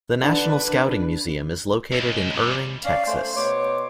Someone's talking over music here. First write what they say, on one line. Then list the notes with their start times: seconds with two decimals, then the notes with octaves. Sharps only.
The National Scouting Museum is located in Irving, Texas.
0.23 D3 D4 B4
1.92 C#2
2.35 F#2 G3
2.84 C#4 D5 F5
3.06 A3 C5
3.36 B2 C#5 C6 D6